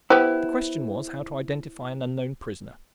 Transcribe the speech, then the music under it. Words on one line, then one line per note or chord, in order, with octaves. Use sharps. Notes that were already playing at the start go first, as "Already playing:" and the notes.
The question was how to identify an unknown prisoner.
B3 E4 G4 C5